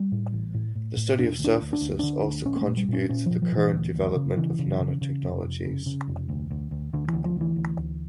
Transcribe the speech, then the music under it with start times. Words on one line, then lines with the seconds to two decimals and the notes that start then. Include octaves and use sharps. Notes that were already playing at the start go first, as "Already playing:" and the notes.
The study of surfaces also contributes to the current development of nanotechnologies.
Already playing: G3
0.12 A2
0.33 A1
0.54 A2
0.75 A2
0.97 A2
1.18 E1 D4
1.39 D2
1.44 D4
1.61 D2
1.73 D4
1.81 D2
1.99 D3 D4
2.25 D2
2.45 A#1 C#4
2.56 A#3
2.61 A3
2.67 A#2
2.77 G3
2.88 A#2 C#4
3.09 A#2 C#4
3.26 A#2 F3
3.42 F3
3.52 A#2
3.57 E3
3.73 D2
3.95 D2
4.16 C#3
4.37 C#3 E3
4.59 C#3
4.80 C#3
5.01 C#3
5.23 F1
5.43 F1
5.65 C#3
5.86 C#3
6.08 F1
6.29 D2
6.51 D2
6.71 D2
6.93 D2 D3
7.08 E3
7.13 D2
7.25 F3
7.36 D2 E3
7.56 D2
7.77 D2